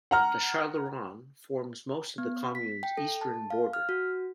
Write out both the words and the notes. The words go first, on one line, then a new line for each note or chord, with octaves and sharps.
The Chalaronne forms most of the commune's eastern border.
F#5 A#5 F6
B3
B6
G5
A4
A5
F5
F6
F#4